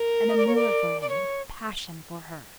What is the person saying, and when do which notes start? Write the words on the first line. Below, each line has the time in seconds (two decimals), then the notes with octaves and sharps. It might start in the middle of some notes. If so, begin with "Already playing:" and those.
An amour for him; passion for her.
Already playing: A#4
0.29 D#5
0.37 D5
0.47 C#5
0.56 D5
1.01 D5
1.09 C#5